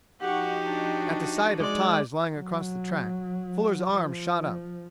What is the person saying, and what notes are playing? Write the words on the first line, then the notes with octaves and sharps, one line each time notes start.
At the sight of ties lying across the track, Fuller's arms shot up.
F3 D#4 F#4 G4 F#5 C#6
D4
G#3 D5
F#3
F3